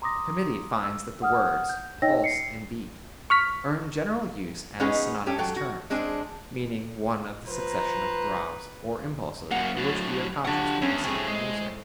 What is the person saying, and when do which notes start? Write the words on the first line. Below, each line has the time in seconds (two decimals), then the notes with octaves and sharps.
The Committee finds that the words: Pulse and Beat are in general use as synonymous terms, meaning one of the succession of throbs or impulses of which we are conscious when listening to music.
0.02 A#5 C6 D6 D#6 A#6
0.84 E6
1.22 F#5 D#6 F6
1.69 G6
2.02 D#4 C#5 D#5 G5 E6 A#6
2.24 C7 C#7
3.30 C#6 F6 B6
4.79 G#3 B3 C#4 D#4 G#4
5.26 C#4 G4 A4
5.38 F#3 A4 G5
5.56 F#4
5.90 G#3 C4 D4 G#4
7.48 F3 B4 C5 A#5
9.51 F#2 A#3 F#5
9.77 A2 F#3
10.45 D3 F#3 G4 F#5
10.82 E2 C#4
11.04 A2 C3 A3 C4 G#4
11.28 G#3